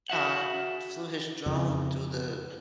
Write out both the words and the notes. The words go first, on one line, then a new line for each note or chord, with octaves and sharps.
uh, flew his drone through the
F#4 E5 F#5
F2 C#3